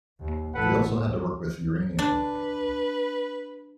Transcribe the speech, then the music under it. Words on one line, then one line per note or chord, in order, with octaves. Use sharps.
They also had to work with uranium.
D#2
A1 A2 A4 B4 F#5
D4 B4